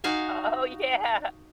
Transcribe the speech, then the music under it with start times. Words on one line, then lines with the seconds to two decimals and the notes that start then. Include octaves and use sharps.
Oh yeah,
0.04 D#4 F#4 F5 G#5